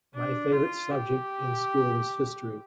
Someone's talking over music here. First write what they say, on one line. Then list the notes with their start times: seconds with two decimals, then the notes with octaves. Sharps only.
My favorite subject in school is history.
0.15 D4
0.53 F4
0.91 G4